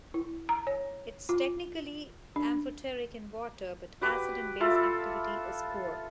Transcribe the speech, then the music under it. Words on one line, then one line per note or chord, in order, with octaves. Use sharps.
It is technically amphoteric in water, but acid and base activity is poor.
E4
A#5
C#5
F4
D4
F#4 G4 B4 D6
E4 F4 A4 E5